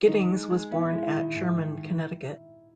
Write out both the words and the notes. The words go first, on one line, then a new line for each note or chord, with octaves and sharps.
Giddings was born at Sherman, Connecticut.
D#3 D#4
G#3
G#3
B3 E4
G#3
E4
D#3
G#2
D#3